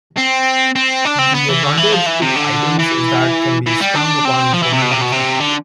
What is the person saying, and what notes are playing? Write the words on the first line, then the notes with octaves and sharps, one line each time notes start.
The advantage to Items is that can be sprung upon an opponent unexpectedly.
C4
C4
D4
C4
B3
E3
D3
E3
F3
E3
C3
D3
E3
E3
G3
D4
C4
F3
E3
C3
B2
C3
B2
C3
D3